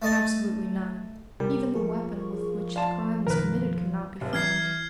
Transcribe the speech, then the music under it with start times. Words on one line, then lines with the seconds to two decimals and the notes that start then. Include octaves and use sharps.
"Absolutely none; even the weapon with which the crime was committed cannot be found."
0.02 A3 D#5 A5
1.40 C3 G3 A#4
1.75 F3 G#4 A#4 C#6
2.76 D5 F5 A5 C6
3.27 F#2 B2 D#3 A#4 B4
4.21 F1
4.33 E3 F6 G#6 C7